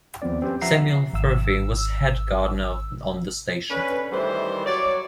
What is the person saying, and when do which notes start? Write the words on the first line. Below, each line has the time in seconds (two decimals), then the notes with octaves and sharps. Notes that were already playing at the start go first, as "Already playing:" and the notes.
Samuel Furphy was head gardener on the station.
0.22 D#2 F3 B3 C4 D5
0.42 C4 C#4 G4 B4 C5
0.61 F3 E5 F#5 A#5 C7
1.14 G#1 E6
3.70 D3 C#4 B4
4.12 D#3 E3 G3 A3 C5
4.66 F#3 C#5 D5